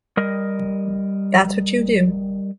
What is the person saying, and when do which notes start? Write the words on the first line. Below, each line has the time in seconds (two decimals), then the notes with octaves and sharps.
That's what you do.
0.17 G3 A#4 D#5